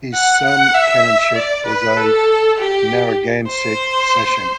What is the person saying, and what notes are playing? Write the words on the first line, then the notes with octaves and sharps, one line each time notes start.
His son Canonchet was a Narragansett sachem.
F#5
F#5
E5
D5
B4
A4
G4
C5